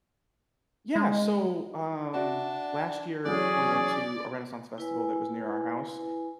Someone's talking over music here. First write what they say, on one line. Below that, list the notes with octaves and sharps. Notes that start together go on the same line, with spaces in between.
Yeah, so, um, last year, we went to a Renaissance Festival that was near our house,
G#3
D4 F#4 D5 E5
E3 F#3 C#4 G#4 D5
E4 B4 G#5